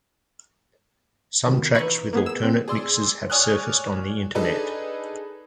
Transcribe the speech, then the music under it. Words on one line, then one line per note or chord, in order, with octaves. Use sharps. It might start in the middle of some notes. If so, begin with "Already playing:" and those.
Some tracks with alternate mixes have surfaced on the Internet.
B2 D#3
E3 D#4 B5 C#6
A#3 B3 G#4
E6 E7
C4
G#4 D5 C6 E6
C#5 D5 G#5 D#6 F6 F#6
D4 D#4 G#4 A4 B4